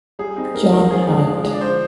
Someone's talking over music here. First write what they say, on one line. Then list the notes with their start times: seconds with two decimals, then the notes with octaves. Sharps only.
John Hand.
0.19 G3 G#4
0.36 C4 D#4
0.54 G3 A#4
0.72 C4 D#4 A#4
0.90 F3 G#4
1.08 G#3 D4
1.26 F3
1.44 G#3 D4
1.54 D5
1.61 F3 C5